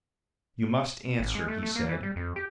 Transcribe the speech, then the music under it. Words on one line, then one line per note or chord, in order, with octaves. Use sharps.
"You must answer," he said.
G#1
G#3
A3
A3
A#3
E3
G3
F2
G4